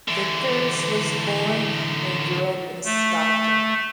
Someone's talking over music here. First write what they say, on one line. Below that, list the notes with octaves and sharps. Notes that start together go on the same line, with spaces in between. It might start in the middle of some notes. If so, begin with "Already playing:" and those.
Vickers was born and grew up in Stockton.
D3 E3
A3